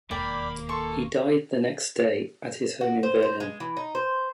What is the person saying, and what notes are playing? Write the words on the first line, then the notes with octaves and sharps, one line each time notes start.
He died the next day at his home in Berlin.
E1 D#2 A#3 D5 G5 B5
A4 C6 C#6
F#4
C5
C5
G#3
E3
D#4
C5